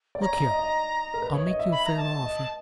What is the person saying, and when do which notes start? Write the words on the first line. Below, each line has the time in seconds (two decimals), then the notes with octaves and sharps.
Look here!--I'll make you a fair offer.
0.15 D5
0.21 C#5 A#5
0.33 D5
0.47 D#5
0.59 D#5
1.14 A#4
1.22 B4
1.34 C#5
1.47 D#5
1.59 E5
1.72 B5
1.85 A#5
1.97 A5
2.22 D#5